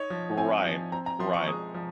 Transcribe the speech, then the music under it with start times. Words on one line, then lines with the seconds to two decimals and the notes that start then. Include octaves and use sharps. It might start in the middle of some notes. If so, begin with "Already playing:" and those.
Right, right.
Already playing: D#4 C#5
0.10 F3
0.37 C4 G#5
0.65 F3
0.92 C4 A#5
1.06 A#5
1.19 F3 C6
1.34 C#6
1.47 G#3 D#6
1.74 F3